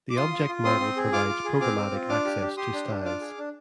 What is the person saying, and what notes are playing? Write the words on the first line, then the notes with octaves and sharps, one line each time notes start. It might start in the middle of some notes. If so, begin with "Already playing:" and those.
The object model provides programmatic access to styles.
D6
F4 C6 D#6
F4
F4
C4 C6 D#6
C4
G#4
F4 D6 F6
F4
G#4
C4 D6 F6
C4
F4
D4 D6 F6
G4
G4
G4 C6 D#6
D4
D4
F4 D6 F6
G#4
D4